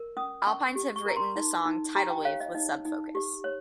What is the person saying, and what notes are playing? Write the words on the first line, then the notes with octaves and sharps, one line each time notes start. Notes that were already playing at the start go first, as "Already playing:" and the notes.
Alpines have written the song "Tidal Wave" with Sub Focus.
Already playing: A#4
C#4 D#6
C#4 C#6
G4
C#6
A#4 A#5
C6
D#4
D#4
G4 A#5
G5
C#5 F5
D#5
D#4 D#5
D#4
G4
C#5